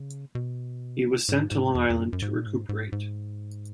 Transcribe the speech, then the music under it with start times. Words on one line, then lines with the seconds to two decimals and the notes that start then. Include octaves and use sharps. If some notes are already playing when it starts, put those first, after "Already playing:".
He was sent to Long Island to recuperate.
Already playing: C#3
0.35 B2
1.29 G#2
1.51 G#2
1.75 E2
1.90 E2
1.99 F#2
2.13 F#2
2.22 G#2
2.34 A#2
2.46 G#2
2.69 G#2
2.92 G#2